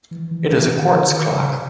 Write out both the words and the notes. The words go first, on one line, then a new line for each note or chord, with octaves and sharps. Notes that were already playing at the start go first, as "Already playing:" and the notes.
It is a quartz clock.
E3
E3
E3
D#3
D3
D#3
C#3
C3